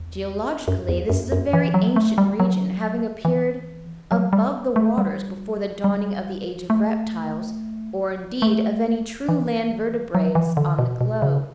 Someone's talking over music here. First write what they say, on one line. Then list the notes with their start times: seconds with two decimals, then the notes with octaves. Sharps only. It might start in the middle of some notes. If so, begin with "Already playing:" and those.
Geologically this is a very ancient region, having appeared above the waters before the dawning of the age of reptiles, or, indeed, of any true land vertebrates on the globe.
Already playing: E2
0.68 F#2
0.89 E2
1.10 F#2
1.32 F#2
1.53 E3
1.74 F#3
1.96 A3
2.18 G3
2.40 F#3
3.25 E3
4.12 F#3
4.33 G3
4.76 A3
4.98 G3
5.84 G3
6.70 A3
8.42 A3
9.29 E3
10.15 F#3
10.35 E3
10.57 D3
10.79 B2
11.01 B2
11.22 C#3